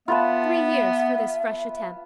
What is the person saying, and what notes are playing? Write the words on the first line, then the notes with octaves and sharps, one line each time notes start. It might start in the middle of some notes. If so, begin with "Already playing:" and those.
Three years for this fresh attempt.
B3 F4 B4 E5 A5